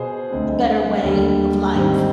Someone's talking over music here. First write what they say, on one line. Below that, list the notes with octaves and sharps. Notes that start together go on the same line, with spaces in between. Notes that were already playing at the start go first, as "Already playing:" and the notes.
a better way of life.
Already playing: B2 B3 G#4 C5
D2 D3 G#3 C4
D#2 D3 G3
G#2 D#3 G3 C4